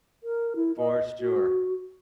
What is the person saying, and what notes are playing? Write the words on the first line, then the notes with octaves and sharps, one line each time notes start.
For sure.
A#4
E4
D#5
F#4